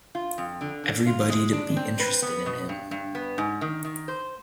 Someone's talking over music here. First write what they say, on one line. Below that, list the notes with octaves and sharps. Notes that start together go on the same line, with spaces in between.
Everybody'd be interested in him.
F4
F2
D3
D4
F4
G#3
D4
C4
B4
B3
B2
G2
G2
B3
G#2
D#3
D#3
C5